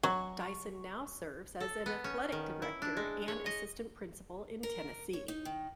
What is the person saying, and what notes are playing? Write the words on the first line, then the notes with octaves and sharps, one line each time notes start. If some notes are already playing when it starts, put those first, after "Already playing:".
Dyson now serves as an athletic director and Assistant Principal in Tennessee.
F#3 C#6
A4
B3
C#4
D#3
E4
D4
G#3
C#5
D#5
A#4
C#5
D#4
D#3